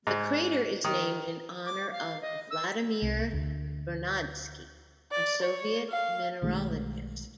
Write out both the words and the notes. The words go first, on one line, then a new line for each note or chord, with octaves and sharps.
The crater is named in honour of Vladimir Vernadsky, a Soviet mineralogist.
G#2
D#3
D6
F5
D#5
E6
C2
D2
D5
C#5
F5
B1 D#3 G#3 A3